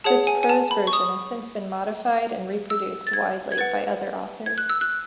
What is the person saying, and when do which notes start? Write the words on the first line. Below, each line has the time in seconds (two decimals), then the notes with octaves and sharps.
This prose version has since been modified and reproduced widely by other authors.
0.04 G#4 C#5 F#5 A5
0.27 G#5
0.43 G#5
0.49 A5
0.71 B5
0.87 C#6
0.93 D#6
2.70 E6
3.07 A6
3.13 G#6
3.52 G#6
3.58 B4 F#5 A6
4.46 G#6
4.58 F#6
4.70 E6
4.81 F#6